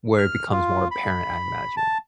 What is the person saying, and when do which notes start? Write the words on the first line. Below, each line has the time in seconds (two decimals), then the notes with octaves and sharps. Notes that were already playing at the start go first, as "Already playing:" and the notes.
where it becomes more apparent, I imagine,
0.18 F6
0.52 F4
0.91 B5
1.77 A5